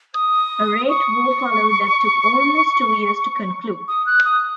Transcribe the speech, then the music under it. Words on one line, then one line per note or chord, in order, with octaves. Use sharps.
A rate war followed that took almost two years to conclude.
D#6
C#6
D#6
F#6
D#6